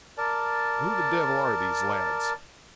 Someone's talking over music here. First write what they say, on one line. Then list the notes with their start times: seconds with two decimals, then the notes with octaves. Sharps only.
Who the devil are these lads?
0.18 A#4 D5 A5